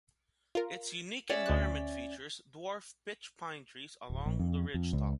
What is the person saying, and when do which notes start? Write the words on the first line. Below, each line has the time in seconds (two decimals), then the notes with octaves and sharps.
Its unique environment features dwarf pitch pine trees along the ridgetop.
0.55 F4 A#4
1.29 C#4 D5 E5
1.46 D2 F#6
4.10 D1
4.26 A#1
4.39 F2
4.74 F2
4.93 C#2